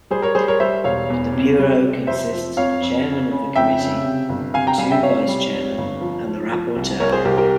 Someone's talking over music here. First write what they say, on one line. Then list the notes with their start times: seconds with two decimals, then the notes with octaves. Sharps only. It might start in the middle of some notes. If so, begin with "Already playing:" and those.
The Bureau consists of the Chairman of the Committee, two Vice-Chairmen and the Rapporteur.
0.11 G3 G#4 C5
0.22 A#4 C#5
0.35 G3 G#4 C5
0.48 A#4 C#5
0.60 G3 C5 E5
0.84 E1 C#5 F5
1.10 E2
1.33 C3
1.59 G3
1.83 C3
2.07 F2 C5 E5
2.33 F3
2.57 F2 C#5 F5
2.82 F2
3.06 C#3
3.31 C#3
3.55 F2 E5 G5
3.80 C#3
4.04 C3
4.29 G1
4.54 C3 F5 G#5
4.67 G5 A#5
4.78 G3 F5 G#5
4.91 E5 G5
5.03 C3 C#5 F5
5.27 G3
5.53 F2
5.78 G1
6.01 F3
6.26 F3
6.52 F3
6.76 C2
7.00 C2 A#4 C#5
7.12 G#4 C5
7.25 C2 G4 A#4
7.37 G4 A#4